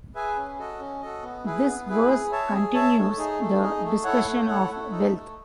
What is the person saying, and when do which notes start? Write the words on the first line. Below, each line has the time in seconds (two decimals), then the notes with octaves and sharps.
This verse continues the discussion of wealth.
0.15 G#4 B4 E5 G#5
0.37 C#4
0.59 F#4 A4 D#5
0.80 C#4
1.02 F#4 A4 D#5
1.23 B3
1.44 E4 G#4 B4
1.67 B3
1.87 E4 G#4 B4
2.09 G#4
2.32 C#5 E5 A5
2.53 G#4
2.74 C#5 E5 A5
2.96 A3
3.17 D#4 G#4
3.40 A3
3.61 D#4 G#4
3.83 A3
4.04 E4 A4 C#5 F#5
4.25 A3
4.47 E4 A4 C#5 F#5
4.69 A3
4.90 D#4 A4
5.12 A3